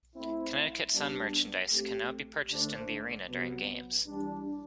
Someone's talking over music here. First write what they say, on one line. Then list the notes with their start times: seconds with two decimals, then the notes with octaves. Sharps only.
Connecticut Sun merchandise can now be purchased in the Arena during games.
0.15 A3 C4 E4
0.94 G3 B3 D4
1.71 A3 C4 G4
2.50 D3 A3 D4 A4 C5
3.28 C3 F#3 B3
4.06 E3 G3 D4